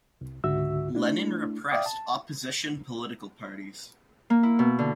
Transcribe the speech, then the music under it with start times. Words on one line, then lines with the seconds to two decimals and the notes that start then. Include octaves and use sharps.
Lenin repressed opposition political parties.
0.21 C2
0.44 C#2 G#2 D3 F#4 E5 E6
0.95 A3 D4 E4
1.71 D5 E5 F5 G5 D6 D#6
1.86 A5
4.30 A#3
4.43 E4
4.59 B2
4.79 D3